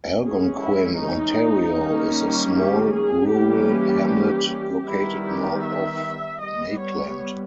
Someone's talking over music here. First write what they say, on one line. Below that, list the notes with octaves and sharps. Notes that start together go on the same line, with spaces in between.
Algonquin, Ontario, is a small rural hamlet located north of Maitland.
E3 G#3 C#4 G#4
E4
D#4
D#3 G3 A#3 C#4
G4
G#4
E3 G3 A#3 C#4 G4
D#3 G3 B3 E4
G4
E5
G3 B3 D#5
C#5